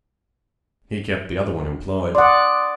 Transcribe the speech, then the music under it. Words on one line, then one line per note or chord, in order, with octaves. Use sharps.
He kept the other one employed.
D5 F#5 C6 D#6